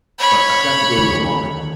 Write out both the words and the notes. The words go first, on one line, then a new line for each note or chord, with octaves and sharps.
But I've got to go to the barn.
C#5 B5
D2 D#3